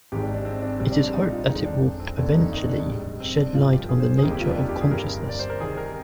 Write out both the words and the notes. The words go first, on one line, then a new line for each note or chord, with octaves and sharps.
It is hoped that it will eventually shed light on the nature of consciousness.
G#1 G#2 D#3 G#3 G4
D4
D4
C4
D4
A#1 G#2 G3 C4
D4
D4
D#4
F4
F2 D#3 G#3 D#4
D4
D4
C4
F1 D#2 D3 G#3 D4
D#4
D#4
D4
D#4
A#1 G#2 G3
C4
D4
G#1 G2 F3 F4
G4
G#4
C5
G#4
F1 D#2 D#3 G3 A#4
G4
F4
D4
D#4
G4
G#4
G1 G2 D#3 A#4
D5
C5
A#4
C2 C3 D#3 G#4
A#4